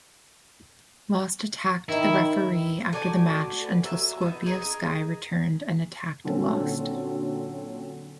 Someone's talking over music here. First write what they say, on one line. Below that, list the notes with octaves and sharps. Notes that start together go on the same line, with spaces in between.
Lost attacked the referee after the match until Scorpio Sky returned and attacked Lost.
D#3 E4
A3 F#4 D5 G#5
B4
F#3 A#3 E5
B3 D#4
G#4 A#4 D#5
A#2 D3 F#3 C4 C#4 A4